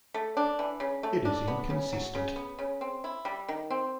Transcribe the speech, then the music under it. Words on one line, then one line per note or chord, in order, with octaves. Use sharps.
It is inconsistent.
A3
D4
E3
C#3
A3
D4
B3
C#3
F#3
C#3
B3
C#3
C4
E4
G3
D#3
C4